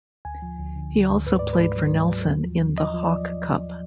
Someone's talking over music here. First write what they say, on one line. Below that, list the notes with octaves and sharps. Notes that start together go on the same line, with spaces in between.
He also played for Nelson in the Hawke Cup.
D2 G#5
F3
D2
D3
D2
D2
G#2 B4
G#2 D5
B4
G#2
F#3
G#2
F#3
D#2
F3
D#2
F3 D#5
F3
D5